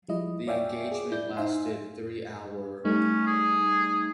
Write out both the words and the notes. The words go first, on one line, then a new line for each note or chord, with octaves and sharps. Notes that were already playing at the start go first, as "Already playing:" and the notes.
The engagement lasted three hour.
F3 G3 G#3 E4 D#5
C#5 D5 E5 F5 G5 G#5
G#4 D6
E4 D5 G6
D#4 C5 E5 F5 G#5 C6
G3 A3 C#4 D#4
G#4